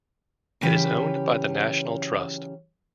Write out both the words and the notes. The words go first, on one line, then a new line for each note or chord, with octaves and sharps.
It is owned by the National Trust.
C#3 E3 F#3 C#4 G4 B4